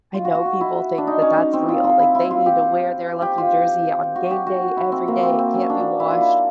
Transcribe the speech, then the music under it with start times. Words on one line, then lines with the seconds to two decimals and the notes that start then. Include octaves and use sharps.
I know people think that that's real. Like, they need to wear their lucky jersey on game day every day. It can't be washed.
0.14 F4
0.25 F#4
0.35 F#4
0.45 F#4
0.61 E4
0.98 D4
1.07 D#4
1.22 C#4
1.37 C#4
1.53 C4
1.69 F4
1.84 F4
1.99 E4
2.15 E4
2.31 F4
2.46 G4
3.22 G4
3.38 F4
4.16 F#4
4.31 G4
4.47 F#4
4.77 E4
4.92 C4
5.08 A#3
5.23 C4
5.39 C4
5.54 C#4
5.70 D4
5.80 D4
6.00 E4
6.11 F4
6.21 E4